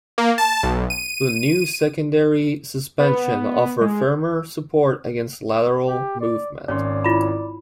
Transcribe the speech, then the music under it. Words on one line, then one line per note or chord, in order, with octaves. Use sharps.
The new secondary suspension offered firmer support against lateral movement.
A#3
A5
B1
D#7
B3
G#3
G4
D5
G#1 C#4 C#5 D5 C6
E4 F4 B5